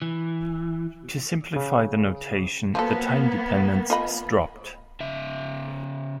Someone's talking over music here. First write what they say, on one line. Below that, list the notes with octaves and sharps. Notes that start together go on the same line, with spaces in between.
To simplify the notation, the time-dependence is dropped.
E3
C#3
F3 F#3 A#3 B3 A4
F4 D#5 B5
C#3 E5